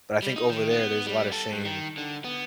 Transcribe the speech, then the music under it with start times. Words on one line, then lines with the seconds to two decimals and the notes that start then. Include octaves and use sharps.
but I think over there, there's a lotta shame
0.23 G3
0.36 D#4
0.50 D#3
0.71 B3
1.07 G3
1.32 A4
1.52 G2
1.65 D#3
1.97 D3
2.24 B3